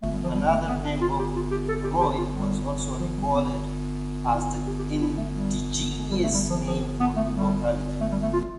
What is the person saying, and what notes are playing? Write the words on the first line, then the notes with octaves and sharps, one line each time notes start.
Another name, "Bobroi", was also recalled as the indigenous name for the locality.
A3
G3
F3
G3
A3
B3
D4
F4
G4
F4
G4
A4
G4
G4
F4
G3
F3
G3
B3
E4
G4
G4
E4
A3
G3
G3
A3
G3
F3
F3
B3
A3
G3
A3
G3
A3
F4